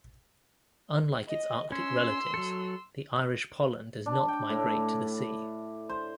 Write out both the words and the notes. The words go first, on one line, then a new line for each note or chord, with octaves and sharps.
Unlike its Arctic relatives, the Irish pollan does not migrate to the sea.
D#5
C#4 C6 E6
F#3 A4
D4
G5
A2
C5